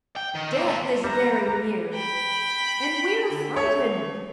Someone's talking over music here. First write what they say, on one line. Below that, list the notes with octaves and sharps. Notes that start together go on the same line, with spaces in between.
'Death is very near, and we are frightened!'
G5
D#3
A#3 C4
A2 G3
G3 B4 E5 A#5
G5 B5
D3
A3 C#5